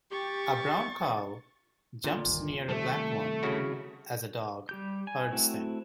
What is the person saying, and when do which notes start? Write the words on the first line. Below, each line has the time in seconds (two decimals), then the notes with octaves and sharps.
A brown cow jumps near a black one as a dog herds them.
0.11 G4 C#6 A6
2.04 A#2 D3
2.26 G1 D#2
2.69 C3 D#3 G3 A3
3.43 C#3 E4 F#4
4.69 G3 G4 G6
5.07 G#5
5.32 A3 C4 E4 F#4